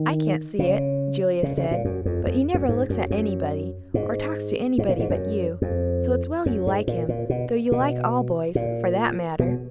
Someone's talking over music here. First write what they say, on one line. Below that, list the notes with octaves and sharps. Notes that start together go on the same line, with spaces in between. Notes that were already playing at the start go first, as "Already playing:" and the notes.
"I can't see it," Julia said, "but he never looks at anybody, or talks to anybody but you, so it's well you like him; though you like all boys, for that matter!"
Already playing: D#3
C#3
C#3
C#3
A#2
F#2
F2
F2
F#2
G#2
F#2
F#2
G#2
G#2
A#2
G#2
F#2
F2
F#2
G#2
A#2
A#2
B2
B2
A#2
B2